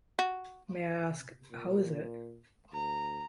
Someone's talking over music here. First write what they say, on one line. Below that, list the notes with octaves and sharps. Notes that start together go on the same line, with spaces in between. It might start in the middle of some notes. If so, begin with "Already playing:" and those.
May I ask — How is it?
F#4
A#2
D2 A#5